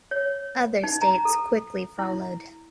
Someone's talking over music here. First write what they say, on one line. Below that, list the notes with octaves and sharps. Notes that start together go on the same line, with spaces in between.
Other states quickly followed.
C#5
D#4
A#5
A4
E4